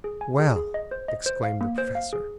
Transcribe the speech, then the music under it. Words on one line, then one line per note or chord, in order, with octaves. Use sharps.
"Well!" exclaimed the Professor.
G#4
G#5
G#4
G#4
D#5
C5
D#5
C5
F5
A#3
C5
F5
G#4